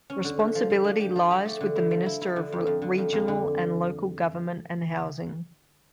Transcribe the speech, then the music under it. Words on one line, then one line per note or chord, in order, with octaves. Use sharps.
Responsibility lies with the Minister of Regional and Local Government and Housing.
C#4
D3
D3
F3
F3
D4
G4
F3
G4
A3
D3
E4
F3
E4
E4
D3
F2
F2
D3
F2
F2
D3